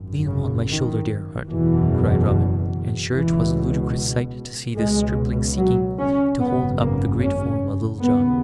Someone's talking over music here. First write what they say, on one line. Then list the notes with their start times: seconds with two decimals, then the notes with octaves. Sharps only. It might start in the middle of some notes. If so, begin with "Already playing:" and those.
"Lean on my shoulder, dear heart," cried Robin, and sure 'twas a ludicrous sight to see this stripling seeking to hold up the great form of Little John.
Already playing: G#1 F#2
0.27 C#3
0.69 D#3
1.50 F#1 E2 B2 E3
3.13 C#2 B2 E3
4.76 C#2 B2 G#3
5.58 F#3
5.98 C#4
6.39 G#1 F#2 C#3 B3
6.79 A#3
7.20 C#4
8.02 D#2 C#3 B3